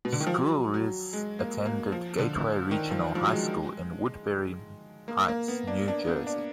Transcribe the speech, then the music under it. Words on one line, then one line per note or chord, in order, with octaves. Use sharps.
Squyres attended Gateway Regional High School in Woodbury Heights, New Jersey.
B2
D3
D#3
F3
F#3
F#3
G#3
A#3
A#3
F3
D3
D#3
F3
F3
F#3
G#3
A#3
A#3
B3
D4
D4
B3
D4